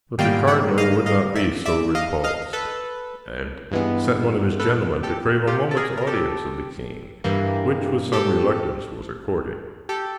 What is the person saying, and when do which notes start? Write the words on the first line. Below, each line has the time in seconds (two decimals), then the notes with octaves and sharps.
But the cardinal would not be so repulsed, and sent one of his gentlemen to crave a moment's audience of the king, which with some reluctance was accorded.
0.18 G#2 D#3 G3 A#3 F5 G5
0.47 E5 F#5
0.78 D#5 F5
1.06 D#5 F5
1.35 D5 E5
1.66 D5 E5
1.95 D#5 F5
2.24 D#5 F5
2.53 A4 B4
3.71 G2 E3 G#3 B3
4.60 A4 B4
5.03 G4 A4
5.47 F4 G4
5.71 A4
5.77 G#4 A#4
5.97 A#4
6.07 G4 A4
7.24 G2 E3 G3 A#3
8.12 G4 A4
9.89 G4 A4